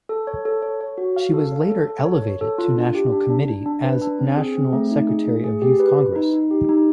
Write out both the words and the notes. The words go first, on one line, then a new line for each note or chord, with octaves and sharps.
She was later elevated to national committee as national secretary of Youth Congress.
A4
C#5
A4
C#5
C#5
F#4
F5
A4
C#5
A4
A4
C#5
C#5
A4
F4
D4
G4
D4
D4
D4
D4
B4
D4
C4
G#4
C4
A3
D#4
G#4
A3
G#4
G4
B4
B4
D#4
D#4
G4
D#4